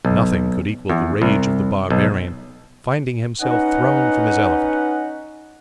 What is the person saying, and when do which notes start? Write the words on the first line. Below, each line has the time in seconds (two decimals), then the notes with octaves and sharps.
Nothing could equal the rage of the barbarian finding himself thrown from his elephant.
0.05 B1
0.90 E2
1.22 C2
1.90 B1
3.40 C#4 D#4 B4 D#5 F#5